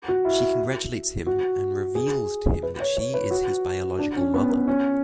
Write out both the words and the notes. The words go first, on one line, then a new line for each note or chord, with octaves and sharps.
She congratulates him and reveals to him that she is his biological mother.
F#4
E4
F#4
G#4
B4
C#5
C#5
B4
F#4
D4
C#4
B3
B3
C#4